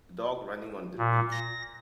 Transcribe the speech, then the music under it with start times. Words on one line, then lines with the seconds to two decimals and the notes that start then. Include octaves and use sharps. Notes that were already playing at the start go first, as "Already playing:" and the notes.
A dog running on the beach.
0.98 A#2
1.32 A#6